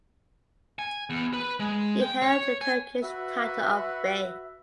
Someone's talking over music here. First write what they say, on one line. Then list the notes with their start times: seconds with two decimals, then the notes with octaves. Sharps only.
He held the Turkish title of "Bey".
0.79 G#5
1.10 E2
1.33 B4
1.60 G#3
2.01 G5
2.22 C#5
2.61 G#5
3.03 F#4 B4 E5